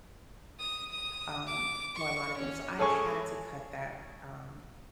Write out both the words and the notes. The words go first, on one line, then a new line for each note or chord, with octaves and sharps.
um, for a lot of things. So, I had to cut that. Um,
D#6
D#6
D6
C#6
C#4
G#4 A4 C#5 G#5 C#6